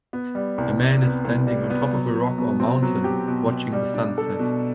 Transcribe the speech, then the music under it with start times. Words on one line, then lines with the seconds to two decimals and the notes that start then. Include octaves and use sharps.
A man is standing on top of a rock or mountain watching the sunset.
0.13 B3
0.35 G3
0.58 C2
0.80 C3
1.02 B3
1.25 C2
1.47 G3
1.70 B3
1.93 F#3
2.15 F#3
2.38 B2
2.60 C4
2.83 F#3
3.04 G4
3.28 B2
3.49 B2
3.73 G3
3.94 D4
4.18 A4
4.39 B2